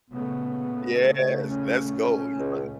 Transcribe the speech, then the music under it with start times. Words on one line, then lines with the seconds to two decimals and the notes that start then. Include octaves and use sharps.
Yes. Let's go. You hu
0.10 A#2 C#3 A3 B3
1.45 C#4
2.39 C#2